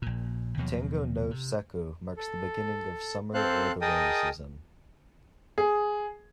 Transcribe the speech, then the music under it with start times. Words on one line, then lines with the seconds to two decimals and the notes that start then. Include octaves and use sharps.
"Tango no Sekku" marks the beginning of summer or the rainy season.
0.02 A#1 A#2
0.57 D#2 B2 F3 F#3
1.31 C3
2.17 A4
3.34 C4 A4 C5 F5 F#6
3.81 G#4 A#4 D#5 G5 A5 D#6
5.58 G#4